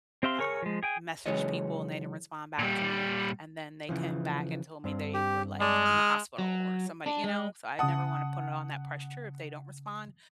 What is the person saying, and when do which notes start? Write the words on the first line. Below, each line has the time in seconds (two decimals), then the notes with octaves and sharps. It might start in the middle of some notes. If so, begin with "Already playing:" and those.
um, messaged people and they didn't respond back to me, and then they came back and told me they were, like, in the hospital or somebody you know, so I never wanna put it on that pressure if they don't respond.
0.23 C4 G4 E5 F5 C6
0.39 G#4 A#4 C#5 C#6
0.62 F3 G#3
0.83 G#4 G5 G#5
1.26 C#3 E3 F#3 G#3 C#5 D#5
2.59 A#2 G3
3.89 C#3 E3 F3
4.84 G2 C4
5.14 G4
5.61 G#3 D5 A5
5.85 D#6 F6
6.38 F#3
7.06 D4
7.24 G#3
7.79 C#3 F#5 A5 D#6